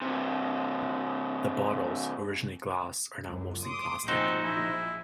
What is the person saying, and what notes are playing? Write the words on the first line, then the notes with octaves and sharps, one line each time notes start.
The bottles, originally glass, are now mostly plastic.
C3 E3
C#2 F#2
C6 D6 D#6
A#1 F3 G#3 C4 D#4 F#4 C5
E4